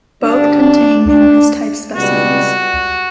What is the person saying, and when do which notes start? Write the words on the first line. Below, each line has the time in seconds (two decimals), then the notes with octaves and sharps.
Both contain numerous type specimens.
0.22 D2 D3 G3 D4
1.08 D4
1.93 C#2 B2 G3 F#4